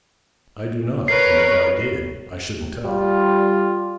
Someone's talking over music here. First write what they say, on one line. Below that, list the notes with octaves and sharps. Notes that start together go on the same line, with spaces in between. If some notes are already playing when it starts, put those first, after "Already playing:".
'I do not; and if I did I shouldn't tell.'
A#4 B4 C#5 C7
G3 F4